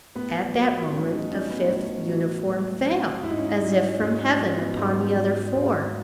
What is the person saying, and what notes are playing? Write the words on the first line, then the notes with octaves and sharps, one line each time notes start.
At that moment, a fifth uniform fell, as if from heaven, upon the other four.
A2 B3
F#3
A2 C#4
D#4
F#3 C#4
B3
A2 C#4
F#3
A2
F#3
G#2 E4
D#4
C#4
D#4
F#3
G#2 C#4
D#4
F#3 C#4
B3
G#2 C#4
F#3
G#2